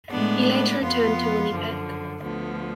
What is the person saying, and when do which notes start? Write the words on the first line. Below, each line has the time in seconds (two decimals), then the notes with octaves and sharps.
He later returned to Winnipeg.
0.10 A2 G#3 B3 D4
0.80 F2 F3 B3 F4
1.50 F#2 D3 F3
2.20 D2 D3 F3 B3